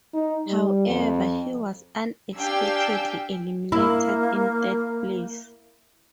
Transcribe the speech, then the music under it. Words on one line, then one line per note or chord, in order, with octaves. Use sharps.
However, he was unexpectedly eliminated in third place.
D#4
G3
F2
D4 G4 F5 G5 G#5 E6
A#3 E4